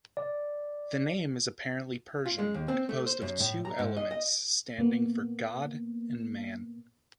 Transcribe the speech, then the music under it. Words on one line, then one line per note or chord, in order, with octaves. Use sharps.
The name is apparently Persian, composed of two elements standing for "god" and "man".
D5
F4
G#3
D#2
C4
A3
C5
F#2
A2
A#5
G#2
D#5
D#5
A#2 A#3 B3